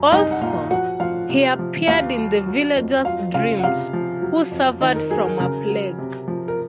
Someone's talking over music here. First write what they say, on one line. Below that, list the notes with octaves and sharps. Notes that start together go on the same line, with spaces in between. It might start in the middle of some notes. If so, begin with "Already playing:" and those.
Also, he appeared in the villagers dreams who suffered from a plague.
Already playing: F#2
C2 D#4 D#5
F#5
A#2 F4 F5
F3 F#4 F#5
F3 F4 F5
C3
F3
D#2 F4 F5
F#3
F#3
F2
F#3 F4 F5
C#3 F4 F5
F#5
C3 F4 F5
F3
F#3
F2
D#3 D#4 D#5
A#4
F#3 G#4
A#4
C#3 A#4
F#3
C3
F3
A#4